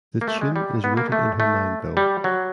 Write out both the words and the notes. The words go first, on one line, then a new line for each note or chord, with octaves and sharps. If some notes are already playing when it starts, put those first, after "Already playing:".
The tune is rooted in her mind though.
A#3
A3
G#3
G3
B3
A#3
A3
A3
G3
F#3